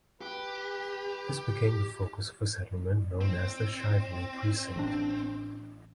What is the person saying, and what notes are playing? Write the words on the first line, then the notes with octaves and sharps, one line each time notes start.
This became the focus of a settlement known as the Shively precinct.
G4 B4
C4
A1 D4